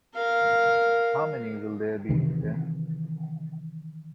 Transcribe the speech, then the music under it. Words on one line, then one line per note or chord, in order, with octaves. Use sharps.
How many will there be, then?
A#4 F5
C3 D#3 E3